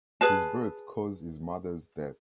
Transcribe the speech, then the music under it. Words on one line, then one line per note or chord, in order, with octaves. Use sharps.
His birth caused his mother’s death.
G#4 B4 A5